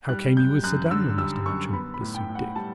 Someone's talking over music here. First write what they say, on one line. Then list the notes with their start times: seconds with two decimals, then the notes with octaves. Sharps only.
"And how came ye with Sir Daniel, Master Matcham?" pursued Dick.
0.09 G3 F#6
0.37 F#2 G6
0.63 F#2 F#6
0.91 D3 E6
1.18 G3 E6
1.46 F#2 C#6
1.73 B3 B5
1.94 B5
2.01 A2
2.15 G5
2.28 A2
2.35 F#5
2.56 G3 A5